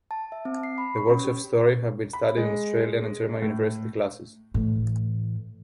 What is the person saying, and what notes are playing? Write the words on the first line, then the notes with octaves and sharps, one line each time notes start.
The works of Story have been studied in Australian and German university classes.
A5
E5
C4
C7
B5
C#6
C#4
G4
B5
G#3
A2
A2 E3